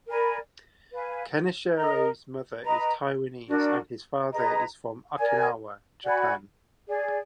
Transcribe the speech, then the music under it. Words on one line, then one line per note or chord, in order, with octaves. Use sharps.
Kaneshiro's mother is Taiwanese and his father is from Okinawa, Japan.
A#4 D5 G#5 B5
B4 F5 G#5
A#4 D#5 A#5
B4 D#5 A#5
D4 F#4 A#4
G#4 B4 D#5 A#5
A#4 D5 G#5
F#4 D5 G#5 B5
G#4 D5 G#5